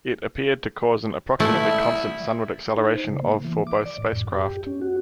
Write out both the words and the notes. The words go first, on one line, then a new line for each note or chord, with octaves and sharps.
It appeared to cause an approximately constant sunward acceleration of for both spacecraft.
A3 E4
D#4
C5
C#3
A#3
E3
D6
D5
A2
F#2
G4
C#4
F#4